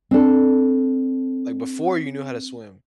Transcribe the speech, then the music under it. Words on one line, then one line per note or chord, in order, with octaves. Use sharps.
like, before you knew how to swim,
C4 D4 A4